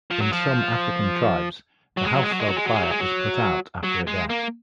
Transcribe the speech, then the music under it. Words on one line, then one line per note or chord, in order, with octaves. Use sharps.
In some African tribes, the household fire is put out after a death.
F3
F#3
F3
F#3
G#3
F#3
G#3
F#3
G#3
F#3
G#3
F#3
G#3
F#3
G#3
F#3
F#3
G#3
A#3